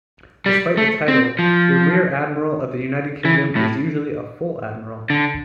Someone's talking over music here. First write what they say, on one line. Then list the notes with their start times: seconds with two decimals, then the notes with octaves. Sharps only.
Despite the title, the Rear-Admiral of the United Kingdom is usually a full admiral.
0.46 G3
0.77 A3
1.08 C4
1.39 F3
3.25 E3
3.56 A2
5.10 D3